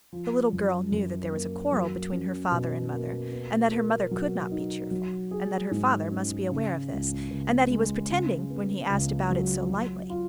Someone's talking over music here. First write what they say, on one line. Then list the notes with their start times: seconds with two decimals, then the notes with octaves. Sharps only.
The little girl knew that there was a quarrel between her father and mother, and that her mother could not be cheerful, and that her father must be aware of this, and that he was pretending when he asked about it so lightly.
0.12 F3
0.52 F#2
0.92 F#2
1.32 A#3
1.72 F#3
2.12 C#4
2.52 B2
2.92 A#3
3.32 B3
3.72 A#4
4.11 F#3
4.51 D#4
4.91 F#3
5.31 G#4
5.71 G#2
6.11 C#4
6.51 C#3
6.91 C#2
7.31 C#2
7.71 G#3
8.10 C#3
8.50 B3
8.90 C#2
9.30 F#3
9.70 F#3
10.10 F4